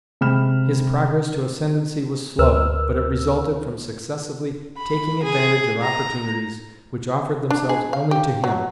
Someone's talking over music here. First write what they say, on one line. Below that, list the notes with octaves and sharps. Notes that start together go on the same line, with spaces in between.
His progress to ascendancy was slow; but it resulted from successively taking advantage of opportunities which offered themselves only to him.
C3 G#3 B5 F6 E7
D2 A#4 B4 E6 F6
B5
G#4
A#5
D4
G#4
F5
G4
F#3